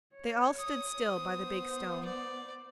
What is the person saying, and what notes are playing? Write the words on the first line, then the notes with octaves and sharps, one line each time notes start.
They all stood still by the big stone.
C#5
D#6
B3 C5
D5